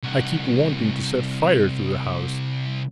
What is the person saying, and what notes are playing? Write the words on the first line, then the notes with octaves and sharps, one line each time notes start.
I keep wanting to set fire to the house.
C2 F#4